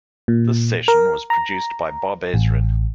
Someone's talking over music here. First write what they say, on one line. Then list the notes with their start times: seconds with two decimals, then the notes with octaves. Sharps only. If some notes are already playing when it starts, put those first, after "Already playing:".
This session was produced by Bob Ezrin.
0.28 A#2
0.88 A#4
1.30 A#5
2.34 A1